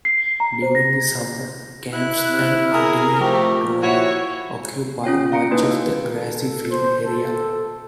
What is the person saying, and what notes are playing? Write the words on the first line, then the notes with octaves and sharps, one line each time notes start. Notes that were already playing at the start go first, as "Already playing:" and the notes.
During the summer, camps and Ultimate tournaments occupy much of the grassy field area.
C7
A#5
C5
A#6
E4 F#6
C3 F6
G#4 A#4 A#5
F3 A3 G4
E4 F#4 C#5
C#4 F4 C#5 G5
F5 A#5 C#7 D7
A#3 D#4 E4 F#4 B4
A4
C5
A4